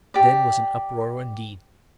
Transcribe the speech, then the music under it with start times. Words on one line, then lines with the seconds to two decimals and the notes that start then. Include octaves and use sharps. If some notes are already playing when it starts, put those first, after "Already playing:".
Then was an uproar indeed.
0.14 G4 D5